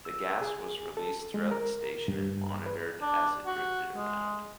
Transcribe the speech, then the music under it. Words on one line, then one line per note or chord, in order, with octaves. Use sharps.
The gas was released throughout the station, and monitored as it drifted around.
E6
G#4
A4
G#3
A#4
G2
B4
D4
F#4
G#3